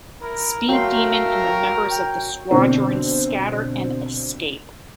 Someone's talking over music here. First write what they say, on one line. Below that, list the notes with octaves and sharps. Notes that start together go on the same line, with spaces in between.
Speed Demon and the members of the Squadron scatter and escape.
E4 A#4
F#3 A3 A#4 F5 G5 C6 E6
C#5
G5
B2 D3 C4